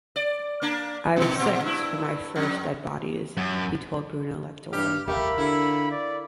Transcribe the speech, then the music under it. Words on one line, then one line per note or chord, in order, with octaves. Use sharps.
"I was six for my first dead bodies," he told Bruno Latour.
D5
A#3 D4
B2 D#3
A#2 C4
G2 E4
F2 G3
F#2
G2 G4 F6
A3 G4 A#4 E5 F5 B5
D3 E4
D5